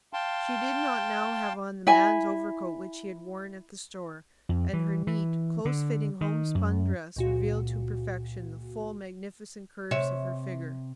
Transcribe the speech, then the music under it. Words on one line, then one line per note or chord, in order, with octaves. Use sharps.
She did not now have on the man's overcoat which she had worn at the store, and her neat, close-fitting home-spun dress revealed to perfection the full, magnificent curves of her figure.
F5 G5 A5 C6
E4 G#5
F2
E3
E3
D3
D#3
F#2
C#2 A#2 F#4
C3 C#5 E5